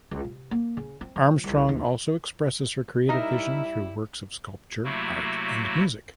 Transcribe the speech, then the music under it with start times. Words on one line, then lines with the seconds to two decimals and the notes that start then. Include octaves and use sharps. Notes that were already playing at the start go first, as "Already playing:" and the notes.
Armstrong also expresses her creative vision through works of sculpture, art, and music.
0.11 C#2
0.24 C3
0.51 A#3
0.77 C#3
1.01 C4
1.16 F3
1.44 C2
1.69 D#2
3.09 G3 D#4 E4 A#4 E5
4.84 C3 F#3 A3 A#3 E4 F#4